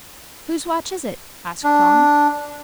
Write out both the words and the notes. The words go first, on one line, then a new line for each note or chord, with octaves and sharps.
"Whose watch is it?" asked Thong.
D4